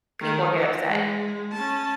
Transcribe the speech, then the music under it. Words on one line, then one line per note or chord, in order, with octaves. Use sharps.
people get upset.
D#3
E3
G#3
C#4 A5